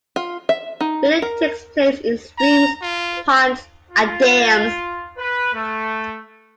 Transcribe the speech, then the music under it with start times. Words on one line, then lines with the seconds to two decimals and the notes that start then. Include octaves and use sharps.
Breeding takes place in streams, ponds and dams.
0.16 F4
0.49 E5
0.81 D#4
1.22 A#4
2.38 A#5
2.82 F4
3.92 F4
5.17 B4
5.53 A3